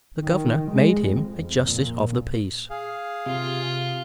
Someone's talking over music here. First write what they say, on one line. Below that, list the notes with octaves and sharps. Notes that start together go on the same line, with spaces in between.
The governor made him a justice of the peace.
D#3
G#3
F2
A#2
G#4 F5
C3 F4